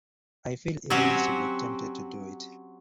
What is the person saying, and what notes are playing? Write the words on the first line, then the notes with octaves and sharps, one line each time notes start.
I feel irresistibly tempted to do it.
F#3 C4 C#4 F#4 G4